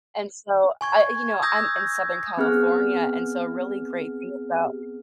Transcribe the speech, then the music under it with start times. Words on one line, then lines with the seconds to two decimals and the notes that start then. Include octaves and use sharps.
And so, I, you know, I'm in Southern California, and so, a really great thing about
0.81 G#5 C#6 G#6
1.42 D#6 E6 G6 G#6 A#6
2.37 B3 C4 G#4 F6